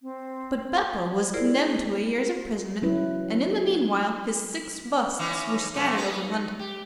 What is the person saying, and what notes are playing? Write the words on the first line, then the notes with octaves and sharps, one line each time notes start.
But Beppo was condemned to a year's imprisonment, and in the meanwhile his six busts were scattered over London.
C4
E4 F4 G#4 A#4 C5 D5
F#3 C#4 E4 B4
E3 C#4 D#4
B2 F3 A3
B3 D#4 B4
G4